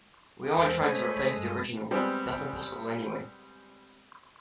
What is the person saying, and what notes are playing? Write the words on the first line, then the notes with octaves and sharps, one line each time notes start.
We aren't trying to replace the original; that's impossible anyway.
E2 G#3 A4 A#4 C5 F5 G5
A3 C#5 D#5 G#5 B5
G2
G3 G#3 B3 C4